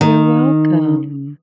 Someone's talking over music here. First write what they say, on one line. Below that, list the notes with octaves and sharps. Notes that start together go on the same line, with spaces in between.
You're welcome.
D#3